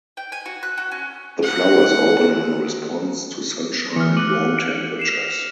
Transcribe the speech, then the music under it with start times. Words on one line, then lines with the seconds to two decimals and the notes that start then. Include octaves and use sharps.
The flowers open in response to sunshine and warm temperatures.
0.17 G5
0.32 G#5
0.46 F#4
0.63 F#6
0.78 F#4
0.91 C#4
1.43 F#5
3.96 E3 F6 C#7
4.17 D6 F#6 D#7 F#7
4.99 C7 E7 F7